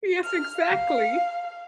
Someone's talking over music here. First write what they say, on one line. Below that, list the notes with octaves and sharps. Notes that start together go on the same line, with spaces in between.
Yes, exactly.
F6
F5